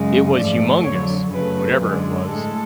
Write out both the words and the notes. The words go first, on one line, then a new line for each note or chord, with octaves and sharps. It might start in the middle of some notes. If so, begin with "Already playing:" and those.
It was humongous, whatever it was.
Already playing: F#2 C#3 G#3
G#2 F3 A3 D5
F2 D3 F#3 C#5
F#2 C#3 F#3 A3 B4
F#2 D3 G#3
A2 G#3 A4